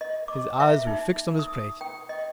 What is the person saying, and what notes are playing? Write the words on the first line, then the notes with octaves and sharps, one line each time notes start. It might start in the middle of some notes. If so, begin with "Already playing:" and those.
His eyes were fixed on his plate.
D#5
D6
E5
D#4
D#6
G5
D#5